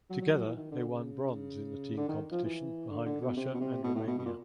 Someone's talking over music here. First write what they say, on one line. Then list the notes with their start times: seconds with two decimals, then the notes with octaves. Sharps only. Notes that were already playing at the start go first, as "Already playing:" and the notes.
Together they won bronze in the team competition behind Russia and Romania.
0.10 F#3
0.22 F#3
0.33 F#3
0.45 E3
0.57 D#3
0.72 D3
0.88 C#3
1.97 D3
2.08 D#3
2.32 F3
2.44 E3
2.90 D3
3.06 D3
3.21 B2
3.37 C3
3.54 B2
3.60 C3
3.83 B2
3.95 A2
4.07 B2
4.18 B2
4.25 A#2